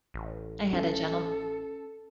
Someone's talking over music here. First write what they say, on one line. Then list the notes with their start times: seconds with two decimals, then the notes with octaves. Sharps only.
I had a gentlem
0.14 A1
0.73 C#4 D4 A4